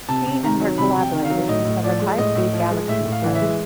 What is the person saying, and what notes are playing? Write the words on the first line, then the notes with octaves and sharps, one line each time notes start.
She and her collaborators discovered high-speed galaxy flows.
C3 A5
C3
D#3 A#5
F#3
C3 B5
C3 G5
D#3
F5
F#3
A2 D#5
A2
F3 D5
G#3
A2 D#5
A2
F3
G#3
A2 E5
A2
F5
E3
E5
G#3